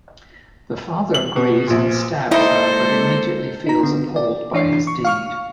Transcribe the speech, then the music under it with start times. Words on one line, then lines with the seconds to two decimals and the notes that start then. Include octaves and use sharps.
The father agrees and stabs her, but immediately feels appalled by his deed.
1.14 F#7
1.36 B2
1.67 A#1 A#2
2.31 G3 G#3 A#3 D#4 E4 A4 C5 D#5
3.66 D#4 A#5
3.83 D3 B3
4.16 D5
4.53 E3 D4 C#5 C7
4.87 C#6
5.05 F5 C#6 F6